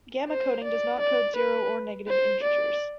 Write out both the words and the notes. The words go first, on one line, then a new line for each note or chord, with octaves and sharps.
Gamma coding does not code zero or negative integers.
C5
D5
D5
B4
C5
D5